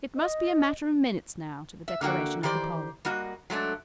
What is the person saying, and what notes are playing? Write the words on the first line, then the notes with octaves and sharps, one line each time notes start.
It must be a matter of minutes now to the declaration of the poll.
D#5
E5
D3 A#3 F#4 G5
D#3 E3 G4 C5 D5
G3 A#3 F#4 D#5
F#3 G#3 A3 D4